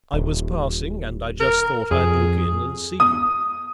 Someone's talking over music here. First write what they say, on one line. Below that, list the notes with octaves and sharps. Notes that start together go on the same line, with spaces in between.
I was passing and I just thought I'd look in and see you.
D#1
A#4
F2 G#4
D#6